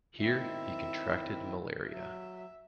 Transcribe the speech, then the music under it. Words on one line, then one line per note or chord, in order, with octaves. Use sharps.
Here he contracted malaria.
D#3 C4 E4 E5
F#3 E5